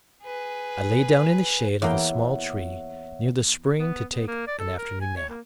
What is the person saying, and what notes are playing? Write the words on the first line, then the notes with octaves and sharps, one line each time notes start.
I lay down in the shade of a small tree near the spring to take an afternoon nap.
G#4 B4
E2 A#3 C#5 E5 F#5 G5
B3
B3
A#3
D5
A4
A#4
G#5
C#5
A#3